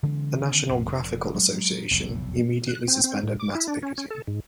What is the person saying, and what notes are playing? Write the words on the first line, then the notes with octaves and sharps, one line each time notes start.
The National Graphical Association immediately suspended mass picketing.
C#3 E3 G#3 C4
D3 D#3 B3 C#4
A#1 F2 A2 C3
F1 F2 A2 D3
F#3 G#3
F1 B1 E2 A2
F#6
C4
C4
A2
D6
E4
D4
C#4
C#4
A4
G#2